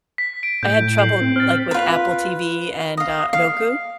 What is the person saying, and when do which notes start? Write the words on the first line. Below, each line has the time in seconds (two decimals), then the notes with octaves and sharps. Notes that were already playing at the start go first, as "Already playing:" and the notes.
I had trouble, like, with Apple TV and, uh, Roku
0.18 B6
0.43 D7
0.63 A2 G6
0.99 G6 C7 F#7
1.21 C4
1.36 C4 F6 A6
1.71 F4 B4
2.97 D#5 F5
3.33 F5